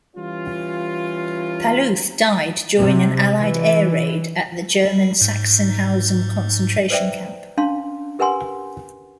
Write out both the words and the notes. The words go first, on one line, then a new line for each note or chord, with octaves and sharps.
Palluth died during an Allied air raid at the German Sachsenhausen concentration camp.
E3 G3 C#4 F4
C3
E3
G3
G#2
B4 C5 D5 E5 G5
C#4 D4 F5 A5 C6
G4 A#4 B4 F#5 G#5 C6